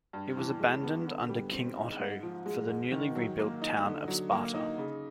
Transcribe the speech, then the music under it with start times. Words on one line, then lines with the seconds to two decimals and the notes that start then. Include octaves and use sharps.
It was abandoned under King Otto for the newly rebuilt town of Sparta.
0.13 G2
0.37 E3
0.60 G#3
0.83 B3
1.07 D3
1.29 G3
1.52 C4
1.76 D#4
1.99 G#2
2.23 F3
2.46 G#3
2.68 G#2
2.91 D#3
3.15 F#3
3.38 A#3
3.62 D#4
3.85 D3
4.08 F#3
4.32 A#3
4.54 D#4
4.78 C#3